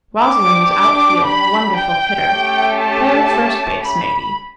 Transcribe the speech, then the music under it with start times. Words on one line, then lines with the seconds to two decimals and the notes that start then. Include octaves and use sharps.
Rosalind was outfield, wonderful hitter, Clara first base, maybe.
0.20 D4 G4 D6
0.72 D6
1.24 B5
1.75 G5
2.26 A3 C#4 G4
2.78 A5
3.81 B5